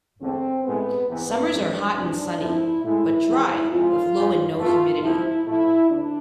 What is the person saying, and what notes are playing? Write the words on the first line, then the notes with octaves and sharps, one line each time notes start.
Summers are hot and sunny, but dry, with low or no humidity.
E2 D3 A3 C4
A2 G#3 B3
E2 C3 E3 B3
F2 C3 G#3 D4
C2 C3 G#3 D4
F2 C3 F3 E4
A2 G#3 E4
E2 C3 F3 E4
F2 C3 G#3 F4
G#2 G#3
E2 B2 A3 F4
C2 C3 F3 E4
A2 F3 A3 E4
D2 D4